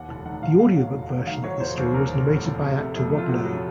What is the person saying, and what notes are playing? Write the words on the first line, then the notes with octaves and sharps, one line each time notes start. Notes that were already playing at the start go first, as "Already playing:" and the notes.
The audiobook version of this story was narrated by actor Rob Lowe.
Already playing: D#2 F#5
F1 A5
D#3 F#5
F1 F5
F#3 F5
F#3
F1
F#3
D#3 F5
F#3 C#5
F1 C5
D#2 C5
D#2 A#4
D#2
F1
F1
C3
A3
F2
A3
F4
C3 F#4
F#3